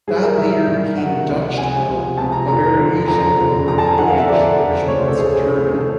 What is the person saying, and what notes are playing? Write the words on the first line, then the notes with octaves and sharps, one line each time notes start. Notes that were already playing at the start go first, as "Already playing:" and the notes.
That later became Dutchtown, a variation of the word "Deutsch," which means German.
G2 D#3 F#3 G#4
A#4
G2 D#3 F#3 E5
G2 D#3 F#3
G2 D#3 F#3 F#5
C#2 C3 F3
C#2 C3 F3 G#5
C#2 C3 F3
C#2 C3 F3 A5
A#5
F2 D3 F3 A#5
F2 D3 F3
F2 D3 F3 A#5
F2 D3 F3
F2 D3 F3 A#5
A5
G#5
F2 D3 F3 F#5
F5
E5
F2 D3 F3 D5
F2 D3 F3
D2 C#3 E3 C#5
C5
A4
D2 C#3 E3 G#4
D2 C#3 E3
C#3 E3 A4